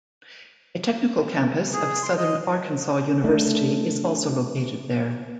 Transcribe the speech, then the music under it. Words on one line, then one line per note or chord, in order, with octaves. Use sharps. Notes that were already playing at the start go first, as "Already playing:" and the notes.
A technical campus of Southern Arkansas University is also located there.
G#4
C6
D#5
A3 D4